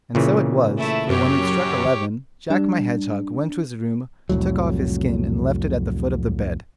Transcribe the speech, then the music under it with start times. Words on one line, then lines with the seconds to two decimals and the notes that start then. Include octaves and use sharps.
And so it was, for when it struck eleven, Jack my Hedgehog went to his room, took off his skin and left it at the foot of the bed.
0.15 A#2 C#3 E3
0.78 A3 E4
1.09 F#2 G4 C#5
2.50 G3 D4
4.29 C2 F2 A2 F#3